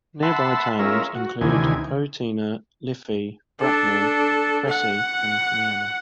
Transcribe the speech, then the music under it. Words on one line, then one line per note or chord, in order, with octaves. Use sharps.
Nearby towns include Poatina, Liffey, Bracknell, Cressy and Miena.
E5 F#5 A5 B5 C6
G#3 C#4 F4 A#4 E5
F#4
D2 C3 D#3 E3 G#5
D4 A4
F#5